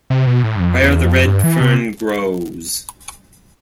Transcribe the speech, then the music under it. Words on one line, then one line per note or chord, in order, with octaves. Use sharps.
Where the Red Fern Grows...
C3
B2
A2
G2
F2
E2
F2
G2
E3
C3